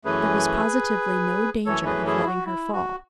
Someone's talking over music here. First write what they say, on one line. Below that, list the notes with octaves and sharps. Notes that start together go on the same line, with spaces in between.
There was positively no danger of letting her fall.
F#2 E3 A3 C#4 G#4 B4
F#2 E3 A3 C#4 A4 C#5
G#4 B4
E4 G#4
E4
F#4
E4
F#4